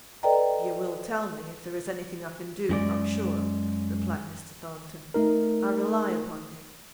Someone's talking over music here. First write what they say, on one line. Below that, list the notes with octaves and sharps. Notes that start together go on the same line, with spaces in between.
'You will tell me, if there is anything I can do, I'm sure,' replied Mr. Thornton. 'I rely upon you.'
A4 B4 D5 D#5 G5 A#5
F#2 G#3 D5
A3 D#4 A#4